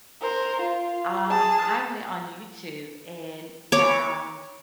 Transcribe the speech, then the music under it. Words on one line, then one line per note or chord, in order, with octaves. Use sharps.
Um, I went on YouTube and found
A#4 C5
F4
G#4 A5
C#5 D6